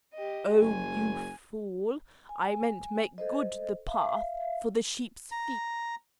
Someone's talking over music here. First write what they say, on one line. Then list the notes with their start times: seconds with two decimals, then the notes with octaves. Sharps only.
"Oh, you fool, I meant make good the path for the sheep's feet."
0.14 G4 D#5
0.61 F#1 G#5
2.29 G#5
3.18 A4 C5 D#5
3.87 E5 F5
5.31 A#5